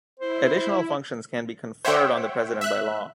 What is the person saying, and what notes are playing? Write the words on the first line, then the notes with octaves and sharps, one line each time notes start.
Additional functions can be conferred on the President by law.
E4 C5
C5 C#5 E5 F#5 G5
E5 F#6